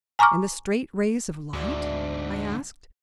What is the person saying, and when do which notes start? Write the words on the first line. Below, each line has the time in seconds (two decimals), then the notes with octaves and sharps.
"And the straight rays of light?" I asked.
0.19 G#5 A#5 C#6 D6 F6
1.53 D2 G#2 D3 G#3 D5 E5